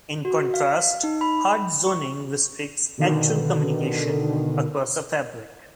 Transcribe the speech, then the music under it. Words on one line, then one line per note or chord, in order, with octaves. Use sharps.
In contrast, hard zoning restricts actual communication across a fabric.
F#4
F5
D#4
B5
C#6
B2 D3 D#3